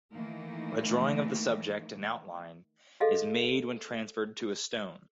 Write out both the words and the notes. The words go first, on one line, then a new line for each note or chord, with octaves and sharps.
A drawing of the subject, in outline, is made when transferred to a stone.
D#3 E3 A3 A#3 D#4
F#4 G#4 A4 D#5 F5